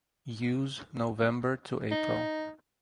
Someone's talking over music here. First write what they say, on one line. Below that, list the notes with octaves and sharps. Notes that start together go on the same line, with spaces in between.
Use November to April.
D#4